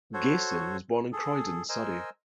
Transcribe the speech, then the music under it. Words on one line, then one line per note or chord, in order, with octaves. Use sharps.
Gayson was born in Croydon, Surrey.
F#4 A4 C5 C#5
G#4 A4
A#4 C5 D#5 G#5 E6